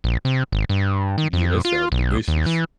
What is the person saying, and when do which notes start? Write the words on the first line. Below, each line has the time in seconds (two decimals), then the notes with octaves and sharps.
Yeah, that sounds delicious
0.04 A#1
0.25 C3
0.52 G#1
0.69 G2
1.18 D#3
1.33 F2
1.65 F4
1.92 B1
2.28 D#2
2.46 E3